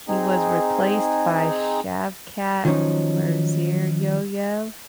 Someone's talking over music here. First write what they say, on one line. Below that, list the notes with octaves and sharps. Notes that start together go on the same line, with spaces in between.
He was replaced by Shavkat Mirziyoyev.
C4 D#4 G#4
D#3 F3 F#3 C#4 D#4